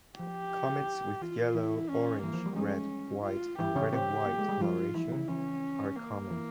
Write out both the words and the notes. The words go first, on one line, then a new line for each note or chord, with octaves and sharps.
Comets with yellow, orange, red, white, and red-and-white coloration are common.
F3 G4
E3 F4
E3 E4
C#4
E3 A#3
F3
G3
G#3 C#4
F4
E3 E4 G4
C#3 C#4
C4 G4
A#3
G#3
G3
F3 F4
E3 E4
C#3
E3 C#4
A#3
E3